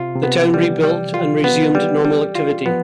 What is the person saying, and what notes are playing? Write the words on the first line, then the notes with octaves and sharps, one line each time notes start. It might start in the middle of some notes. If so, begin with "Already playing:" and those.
The town rebuilt and resumed normal activity.
Already playing: C3 F4
C3
B3
F3
G3
E3
G3
F4
B3
G3
G3
F4
F3 B3